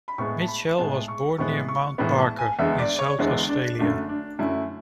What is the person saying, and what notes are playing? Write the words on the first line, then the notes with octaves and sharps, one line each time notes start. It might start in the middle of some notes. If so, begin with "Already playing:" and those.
Mitchell was born near Mount Barker in South Australia.
B5
A2 G#3 B3 C#6
A5
B5
A2 G#3 B3 A5
C#6
A2 E3 G#3 B3 C#6
C#6
A2 E3 G#3 B3 B5
A5
G#5
E2 D3 G#3 B3 E5
D5
C#5
E2 D3 G#3 B3 E4
D4
F#2 D3 A3 D4
D4
F#2 D3 A3 E4